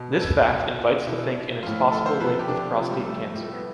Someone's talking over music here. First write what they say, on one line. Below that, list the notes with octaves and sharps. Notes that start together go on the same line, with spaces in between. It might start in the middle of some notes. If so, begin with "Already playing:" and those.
This fact invites to think in its possible link with prostate cancer.
Already playing: B2
B4
A4
B2
F4
B2 E4
A2 F3 F4
A4
C5
C3 F3 B4
A4
G4
D4
C3 F3
G3
A3
A2 F3 G3
A3
B3